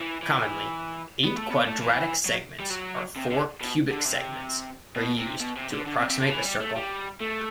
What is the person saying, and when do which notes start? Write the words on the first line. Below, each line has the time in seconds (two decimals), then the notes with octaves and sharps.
Commonly, eight quadratic segments or four cubic segments are used to approximate a circle.
0.01 E3
0.23 E3
1.25 B3
1.36 A3
1.50 B3
1.66 A3
1.80 E3
2.25 F#3
2.60 G3
2.70 F#3
3.16 C3
3.31 D3
3.61 B2
3.91 D3
4.05 C3
4.96 B2
5.18 C3
5.40 B2
5.56 C3
5.71 D3
5.86 D3
5.98 C3
6.09 C3
6.20 D3
6.30 E3
6.45 G3
6.60 A3
6.75 G3
7.20 A3